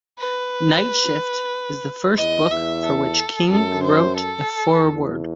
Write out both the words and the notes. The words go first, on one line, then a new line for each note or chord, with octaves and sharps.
"Night Shift" is the first book for which King wrote a foreword.
B4
E2 D#5
E2 E5
A4
F#2 A4
C5
A4
E2